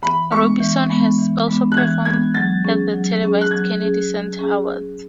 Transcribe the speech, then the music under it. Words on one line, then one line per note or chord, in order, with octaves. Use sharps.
Robinson has also performed at the televised Kennedy Center Awards.
E3 B5
G#3 B3 D4 C#6
E3
G#3 B3 D4
E3
G#3 B3 D4
F#6
E3 G#6
G#3 B3 D4 G#6
F#3 A6
C#4 G#4
F#3
C#4 G#4
F#6
F#3 G#6
C#4 G#4
F#3
C#4 G#4